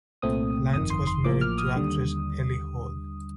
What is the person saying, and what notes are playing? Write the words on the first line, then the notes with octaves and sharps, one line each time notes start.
Lange was married to the actress Elli Hall.
C2 A#2 A3 C4 D#6
G1 F2 D#3 D#6
C6
C6
A1 A2 F3 A#3 D6
F6
D#6
D#2 D3 G3